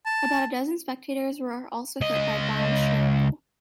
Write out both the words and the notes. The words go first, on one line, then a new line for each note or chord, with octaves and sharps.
About a dozen spectators were also hit by bomb shrapnel.
A5
C#2 D#5